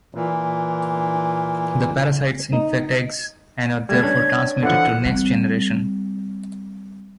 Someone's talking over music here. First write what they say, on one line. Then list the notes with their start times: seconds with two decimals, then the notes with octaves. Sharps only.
The parasites infect eggs and are therefore transmitted to next generation.
0.15 A#2 E3
2.52 D#4
3.89 G3 A3 B3 G#6
4.03 C#4 D4
4.63 D3 E3 F3 F#5
5.05 G3 C4